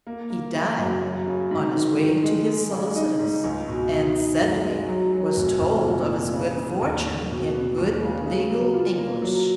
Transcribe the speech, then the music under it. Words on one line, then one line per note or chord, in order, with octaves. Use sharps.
He died on his way to his solicitors, and Sedley was told of his good fortune in good legal English.
A#3
A#3
C#3
F#2
F#3
C#3
G#2
D#3
D#3
G#3
G#3
C#3
D#4
G#2
C#2
B2
D#4
D#4
F#2
G#3
F#3
F#3
F1
F1
A#2
A#2
C#3
C#3
D#2
D#2
B2
B3
D#2
C#3
C#3
F#3
F4
A#3
F#3